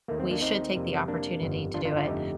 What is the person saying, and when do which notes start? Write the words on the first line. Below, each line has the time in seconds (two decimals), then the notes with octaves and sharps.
we should take the opportunity to do it,
0.08 D#2 D#3 A3 A#3
0.20 C4
0.31 A#3 D4
0.42 C4 D#4
0.75 F2 C3 G3 A#3
1.08 A#3 D4
1.41 G1 F2 D#3 G3
1.74 D4 F4
1.85 D4 F4
1.96 D4 F4
2.07 G1 F2 D3 A3 D#4 G4